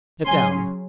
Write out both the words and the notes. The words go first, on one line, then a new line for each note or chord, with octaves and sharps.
"Get down."
C#3 F#3 C#4 G#5 C6